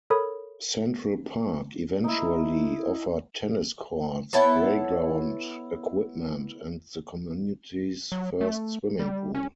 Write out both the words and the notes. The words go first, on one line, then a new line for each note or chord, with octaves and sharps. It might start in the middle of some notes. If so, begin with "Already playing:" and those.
Central Park eventually offered tennis courts, playground equipment, and the community's first swimming pool.
A4 A#4 C#5 B5 D#6
D#4 E4
B3 E4 A4 C#5
F#3
A3
G3
C#4